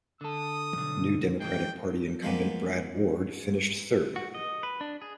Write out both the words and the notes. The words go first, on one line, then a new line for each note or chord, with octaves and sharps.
New Democratic Party incumbent Brad Ward finished third.
D3 A4 D#6
B1 D3
E3 G#3 G5
F3 G#3 A#3 B3
F#4
D#5
B4
D4
G#4